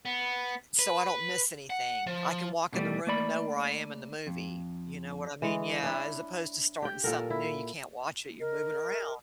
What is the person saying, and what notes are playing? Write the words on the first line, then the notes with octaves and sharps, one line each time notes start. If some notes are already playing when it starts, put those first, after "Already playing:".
i so I don't miss anything. I can walk in the room and know where I am in the movie, you know what I mean? Yeah, as opposed to starting something new, you can't watch it, you're moving around.
B3
B4
F#5
F3
B2 D3 E3 G3 A3
A3 A#3 D5 B5
F2
E3 G#3
D4 E4 C#5
G4 G5
A#2 A4 A#4
E4
A#4 D#5